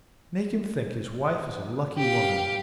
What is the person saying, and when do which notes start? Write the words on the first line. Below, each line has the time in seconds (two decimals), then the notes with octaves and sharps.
Make him think his wife is a lucky woman.
1.97 G4 F5